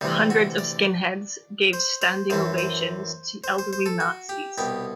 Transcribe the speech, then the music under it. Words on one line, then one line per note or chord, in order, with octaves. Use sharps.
Hundreds of skinheads gave standing ovations to elderly Nazis.
D2 C3 E3 G3
F#4
D5
C5
C5
F#2 E3 C5
C5
C5
C5
C5
A4
F#4
G4
C2 B2 G4